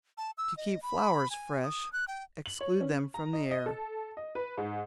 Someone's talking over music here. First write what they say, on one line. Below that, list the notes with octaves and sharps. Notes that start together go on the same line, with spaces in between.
To Keep Flowers Fresh exclude them from the air.
A5
E6
D#5
B5
G#5
D#6
F#6
G5
F#7
C#5
C#4
A#5
D#5
D#5
A4
D#5
B4
G#2